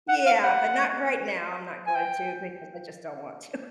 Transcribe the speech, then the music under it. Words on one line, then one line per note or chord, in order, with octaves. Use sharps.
yeah, but not right now. I'm not going to because I just don't want to,"
F#5
F5
F#5
G#5
G5